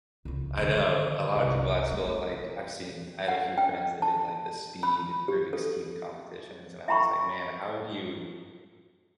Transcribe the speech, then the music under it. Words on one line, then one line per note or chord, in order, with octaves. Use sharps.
I know. A lotta people at school, like, I've seen I had a few friends that did, like, the speed Rubik's Cube competitions, and I was like, "Man, how would you
C#2 C#3
D3 D#3
C2
G3 A3
F#5
G5
A5
B5
G4
A4
E5 G5 A#5 B5 C#6